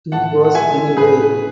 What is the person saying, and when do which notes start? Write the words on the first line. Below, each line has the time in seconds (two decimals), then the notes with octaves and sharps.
He goes anyway.
0.12 A2 F#5 A5
0.44 F#5
0.55 E3 G#3 E5 G#5
0.97 A2 G#4 B4